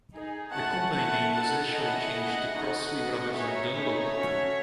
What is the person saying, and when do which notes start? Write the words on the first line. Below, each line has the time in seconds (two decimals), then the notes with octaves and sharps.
The company name was initially changed to Crossley Brothers and Dunlop.
0.14 D#4 G#4
0.53 A3 C#4 F#4 F#5 A5
0.93 A3 E4 A4 F#5 A5
1.34 D#4 A4 F#5 A5
1.74 C#4 E4 A4 D#5 F#5
2.15 A3 E4 G#4
2.54 D#4 F#4 A4 D#5 F#5
2.95 B3 F#4 A4
3.35 D#4 G#4 C#5 E5
3.75 A3 D#4 G#4 C#5 E5
4.14 A3 C#4 F#4